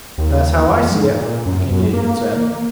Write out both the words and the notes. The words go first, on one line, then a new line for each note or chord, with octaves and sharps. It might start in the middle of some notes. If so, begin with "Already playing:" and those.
"That's how I see it," the Canadian said.
D#2
F2
G#2
A#2
F#2
F#2
A#3
A#3